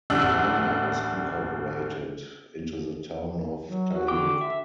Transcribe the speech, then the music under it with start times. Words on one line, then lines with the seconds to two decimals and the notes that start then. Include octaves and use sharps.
Maria was incorporated into the town of Tayug.
0.10 A1 D2 G3 D4 E6
3.67 F#3
3.94 F#4
4.08 D3 G5 D6
4.41 E5